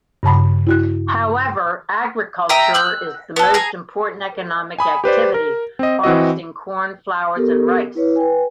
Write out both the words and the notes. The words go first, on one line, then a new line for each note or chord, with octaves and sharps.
However, agriculture is the most important economic activity, harvesting corn, flowers and rice.
G2 C#3 A5 B5
E4 F#4 F#6
E5 G5 A#5 D#6
E6 F#6 G6
B3 A4
G#4 G#5 A#5
G#5 B5 D#6
G4 B4 C5 D5
A#4
C4 D#5
E3 C4 F#4 D#5
B3 G4 A4 A#4
E4 B4 C#5
B4 G5 G#5